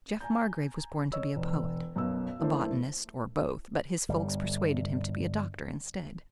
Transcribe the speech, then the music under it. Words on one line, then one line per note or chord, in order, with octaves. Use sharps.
Jeff Margrave was born to be a poet, a botanist--or both--but his folks persuaded him to be a doctor instead.
G#5 A#5 G6
C#5 D#5 E6
E1
B1 F#2 B2 E6
E3 A3 A#3 D4 C5
G1 G3